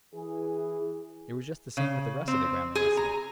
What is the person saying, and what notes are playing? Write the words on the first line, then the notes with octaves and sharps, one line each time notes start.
It was just the same with the rest of the grammar lesson.
E3 E4 G#4
C#3
C4
G#4
A#5